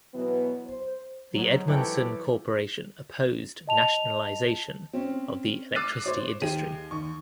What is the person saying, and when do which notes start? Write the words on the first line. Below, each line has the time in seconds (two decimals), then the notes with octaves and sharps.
The Edmundson Corporation opposed nationalisation of the electricity industry.
0.14 B2 E3 F#3 B3
0.66 C5
1.34 G#2 F#3
1.68 G#2 E3 G4 A4 C#5 G5
3.67 D#5 A5 F7
4.93 C4 C#4
5.75 D6 E6 F#6 A6 C7 D#7
6.04 C5 C#5 D6
6.41 D#2 G4 G#4 D#7
6.91 D#2 C#6